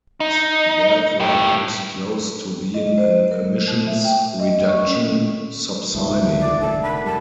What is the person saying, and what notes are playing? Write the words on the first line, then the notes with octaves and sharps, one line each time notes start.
It therefore comes close to being an emissions reduction subsidy.
D#4
A2 G4
D#5
C5
A#4
A3
E5
G5
D#5
C#6
C#4
C#2 A#2 D#4 E5 A5
D5
F1 A2 D4 A4
A#4 F#5 B5
G3 A5